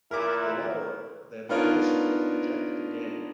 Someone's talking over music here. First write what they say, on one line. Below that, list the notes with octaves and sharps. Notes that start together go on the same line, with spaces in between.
However, the application was rejected again.
A#2 E3 E4 A#4 D6
B3 D4 D#4 F4 A#4 C#5